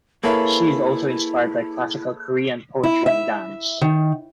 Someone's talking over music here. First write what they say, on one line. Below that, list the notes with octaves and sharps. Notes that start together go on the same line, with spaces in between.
She is also inspired by classical Korean poetry and dance.
A#3 E4 G#4 A4 B4 C#5 E5
E4
E5
D#3